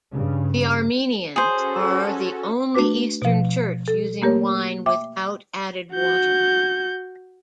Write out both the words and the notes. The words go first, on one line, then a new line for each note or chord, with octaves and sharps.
The Armenians are the only Eastern Church using wine without added water.
G2 C#3
C#4 F#4 G#4 A4 C5
A3 D4 F#4 B4 D6
B2 F3
A4
A3 A#3 G4 A#4 C#5
E5 G5 D6
F#4 G6